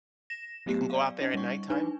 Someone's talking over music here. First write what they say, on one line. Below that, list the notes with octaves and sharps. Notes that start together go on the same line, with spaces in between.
You can go out there at nighttime.
A#6 E7
F#3 A3 B3 G4
D5 F5
C#4 D#4 D#5
G3 C#6
D4 D#4 B4 G#5